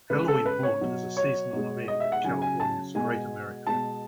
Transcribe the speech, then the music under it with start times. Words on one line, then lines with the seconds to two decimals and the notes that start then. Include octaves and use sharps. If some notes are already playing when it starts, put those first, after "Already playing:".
Halloween Haunt is a seasonal event at California's Great America.
0.10 C#3 G#3 B4
0.28 A4
0.45 B4
0.63 C#5
0.81 B2 F#3
1.17 C#5
1.53 B2 G#3
1.88 D#5
2.00 E5
2.12 F#5
2.24 C#3 F#3 G#5
2.42 G#5
2.60 A5
2.95 B2 G#3 G#5
3.67 B2 G#3 A5